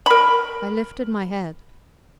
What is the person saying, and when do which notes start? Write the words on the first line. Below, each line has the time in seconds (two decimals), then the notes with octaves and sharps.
I lifted my head.
0.06 A#4 B5